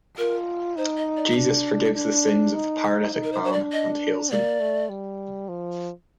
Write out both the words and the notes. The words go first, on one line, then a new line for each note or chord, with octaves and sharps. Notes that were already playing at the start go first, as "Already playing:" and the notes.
Jesus forgives the sins of the paralytic man, and heals him.
F4 A#4
D#4 C5
D#5
D5
D4
D4
D#4
D#4
A#4
C5
D4 C5
D5
D#5
A#3 D5
A3
G3
F3